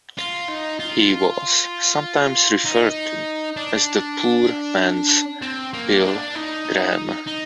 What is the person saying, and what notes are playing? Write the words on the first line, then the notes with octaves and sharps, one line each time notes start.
He was sometimes referred to as the poor man's Bill Graham.
F4
D#4
F4
D#4
D4
C4
A#3
D4
D#4
D#4